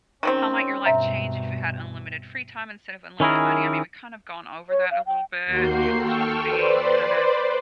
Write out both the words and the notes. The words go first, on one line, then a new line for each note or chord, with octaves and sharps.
How might your life change if you had unlimited free time instead of unlimited money? I mean, we've kind of gone over that a little bit. You'd just be kind of
D#3 F#3 C4 C#4
G2 B2 E5 A#5
D#3 C#4 E4 G#4 A#4
C#5
F5
G5
D#2 A#3 F#4 C6 G6 C7
A4 G5 C#6 E6 F6
B4 C5 D5 C6